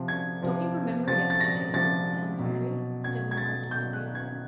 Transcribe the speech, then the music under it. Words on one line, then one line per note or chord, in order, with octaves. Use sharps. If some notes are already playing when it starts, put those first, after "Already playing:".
'Don't you remember yesterday?' said the Sand-fairy, still more disagreeably.
Already playing: C3 F3
G#6
C3 F3
C3 F3 A6
A6
A#6
C3 F3 A6
B2 F#3
B2 F#3 G#6
G#6
A6
B2 F#3 G6
F#6
G#6